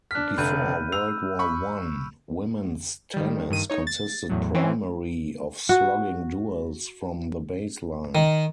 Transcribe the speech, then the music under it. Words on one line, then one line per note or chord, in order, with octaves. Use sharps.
Before World War One, women's tennis consisted primary of slogging duels from the baseline.
D4 F6 F#6 B6
F1 D3 B5 G6 D#7
E6 F7
B5 C#6
D#3 G3
G2 D#3 D#7
D#4 C#5
A6
E2 A2 F#3
E3 C4 C#4
F#4
D#3